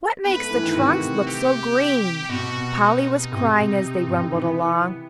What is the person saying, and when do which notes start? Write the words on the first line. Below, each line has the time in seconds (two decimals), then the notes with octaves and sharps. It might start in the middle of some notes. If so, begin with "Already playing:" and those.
"What makes the trunks look so green?" Polly was crying as they rumbled along.
0.25 B3 B4
0.37 A3
0.50 E3
0.63 D#3
0.76 C3 F#4
1.27 G4
2.29 B2 F#4
2.81 D#4
3.32 C3
4.08 C3
4.21 D#3
4.36 E3 B3